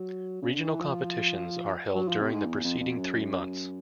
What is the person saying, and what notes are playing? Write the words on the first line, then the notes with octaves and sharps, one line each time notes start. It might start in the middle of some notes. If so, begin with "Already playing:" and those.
Regional competitions are held during the preceding three months.
Already playing: F#3
C#3
D3
E3
F3
F#3
F3
C3
G#2
E2
F2
F2
F#2